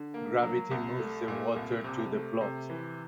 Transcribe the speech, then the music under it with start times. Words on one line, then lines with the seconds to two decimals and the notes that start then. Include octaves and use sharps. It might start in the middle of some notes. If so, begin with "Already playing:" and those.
Gravity moves the water to the plot.
Already playing: D3
0.14 A#3
0.42 F#3
0.71 C2
0.99 A3
1.28 A#2
1.56 C2
1.84 C3
2.13 A3
2.41 C3
2.70 E3